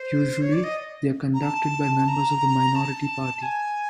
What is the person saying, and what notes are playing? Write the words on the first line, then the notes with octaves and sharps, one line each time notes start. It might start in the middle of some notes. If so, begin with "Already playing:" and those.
Usually, they are conducted by members of the minority party.
Already playing: C5
C#5
D5
D#5
A#5
A5
A#5
A5
G#5